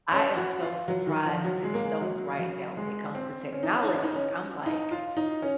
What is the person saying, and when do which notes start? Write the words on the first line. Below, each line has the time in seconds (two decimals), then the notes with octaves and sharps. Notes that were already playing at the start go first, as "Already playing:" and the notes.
I am so surprised and stoked right now when it comes to technology. I'm like,
0.12 C#4
0.37 F#4
0.62 F4
0.88 F#3
1.07 D#3
1.26 F3
1.44 F#3
1.64 G#3
1.74 A#3
1.85 G#3
2.01 F#3
2.39 F#3
2.77 G#3
3.15 C4
3.53 C#4
3.63 D#4
3.73 C#4
3.83 D#4
3.94 C#4
4.04 D#4
4.14 C#4
4.66 D#4
4.91 F4
5.17 D#4
5.42 C#4